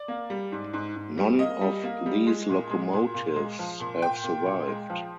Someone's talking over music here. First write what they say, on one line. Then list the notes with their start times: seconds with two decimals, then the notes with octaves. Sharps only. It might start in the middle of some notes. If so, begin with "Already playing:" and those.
None of these locomotives have survived.
Already playing: D5
0.08 A#3
0.30 G3
0.52 G#2
0.73 G#2
0.96 G#2
1.17 G3
1.39 A#3 D#5
1.61 G3
1.84 A#3
2.06 G3
2.26 G#3
2.50 A#2
2.71 G#3
2.93 A#2
3.14 A#2
3.36 G#3
3.59 F3
3.80 A#2
4.02 A#2 G5
4.23 A#2
4.46 A#2
4.67 G#3
4.90 F3